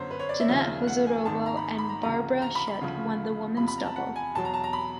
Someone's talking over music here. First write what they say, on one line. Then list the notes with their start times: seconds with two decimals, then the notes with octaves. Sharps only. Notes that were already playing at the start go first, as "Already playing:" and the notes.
Janette Husárová and Barbara Schett won the women’s double.
Already playing: G1 F#2 D3 C5 C#5
0.11 B4
0.20 C#5
0.29 D5
0.40 E5
0.49 D#2 C#3 F3
0.87 F#5
1.07 G#5
1.25 G#1 G#2 D#3 A5
1.46 A#5
1.57 B5
1.67 A#5
1.78 B5
1.89 A#5
2.03 D2 C#3 F3 A#5
2.42 A#5
2.55 B5
2.67 B5
2.81 D2 C#3 F3
3.57 E2 C3 F3 B5
3.67 B5
3.77 A#5
3.86 A5
3.96 F#5
4.16 G#5
4.35 E2 B2 F#3 A5
4.45 A#5
4.54 A5
4.64 A#5
4.73 B5